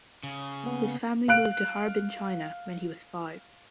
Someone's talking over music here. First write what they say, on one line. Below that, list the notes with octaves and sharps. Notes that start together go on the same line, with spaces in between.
His family moved to Harbin, China when he was five.
C#3
A#3 B3
F5 F#6 D7